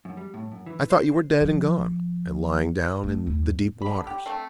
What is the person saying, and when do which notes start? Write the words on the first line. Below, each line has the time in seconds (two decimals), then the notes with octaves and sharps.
'I thought you were dead and gone, and lying down in the deep waters.
0.05 F#2
0.17 G3
0.34 A2
0.52 F#2
0.66 E3
0.90 C5
1.41 F3
3.04 A3
3.27 D#2
3.82 D3 B5
4.07 G4
4.26 A3 C4